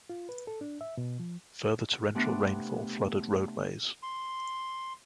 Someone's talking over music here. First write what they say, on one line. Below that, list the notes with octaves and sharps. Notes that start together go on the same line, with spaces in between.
Further torrential rainfall flooded roadways.
F4
B4
A4
D4
E5
B2
F3
C3 A3 B3 D4
C6